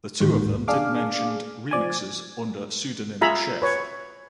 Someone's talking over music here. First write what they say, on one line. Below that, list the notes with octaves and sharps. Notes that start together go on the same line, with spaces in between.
The two of them did mentioned remixes under pseudonym Chef.
A1 D#2 G#2
D4 G#4 F5 D6
F3 D5 G#5
F4 G#4 E5 A#5 B5
B4 C#5